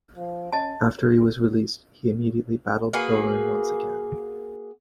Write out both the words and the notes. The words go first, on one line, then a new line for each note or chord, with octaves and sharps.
After he was released, he immediately battled Thoron once again.
F3
C#4 D#5 A5
A#3 F#4 G#4 B4